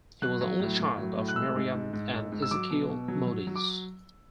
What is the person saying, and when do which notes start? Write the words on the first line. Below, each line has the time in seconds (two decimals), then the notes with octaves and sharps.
He was the only child of Miriam and Ezekiel Modise.
0.22 F#3 F#6
0.41 F#3
0.60 A2
0.79 A2
0.98 F#3
1.17 A2
1.28 F#6
1.36 G#3 E6
1.56 G#2
1.74 G#2
1.93 G#2
2.13 G#2
2.32 G#2
2.42 E6
2.51 F#3 D6
2.70 B2
2.89 B2
3.08 F#3
3.27 F#3
3.47 F#3
3.56 D6